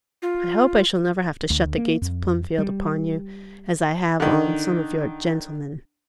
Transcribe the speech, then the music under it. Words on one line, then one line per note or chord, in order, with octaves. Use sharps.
I hope I shall never have to shut the gates of Plumfield upon you, as I have on some of your "gentlemen".
F4
D2
A#3
F2
G3
D3 D#3